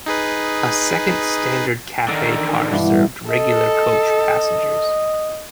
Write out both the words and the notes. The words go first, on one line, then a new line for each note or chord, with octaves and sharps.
A second standard cafe car served regular coach passengers.
D#4 G#4 B4
D3 D#3
G2 B2 E3
A4 D#5